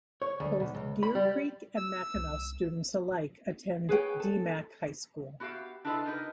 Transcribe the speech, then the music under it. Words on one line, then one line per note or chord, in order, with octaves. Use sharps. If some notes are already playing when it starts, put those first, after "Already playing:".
Both Deer Creek and Mackinaw students alike attend Dee-Mack High School.
C#5
D2
B1
C#2
B5
G3
E6
C2
G#4 B4 C#5 G5
A4
B3 F#4 G4 E5 F5
D4 E4 F4 A4 B4 D#5
D#4 F4 G4 A#4 B4 D#5